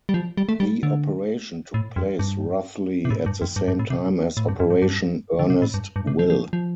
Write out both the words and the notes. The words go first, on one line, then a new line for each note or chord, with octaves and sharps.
The operation took place roughly at the same time as Operation Earnest Will.
G3
F3
G3
A3
G3
D3
A2
F2
G2
C3
A2
G2
F2
G2
G2
A2
C3
A2
G2
F2
G2
G2
D3
C3
A2
G2
G2
C3
F3
F3
F3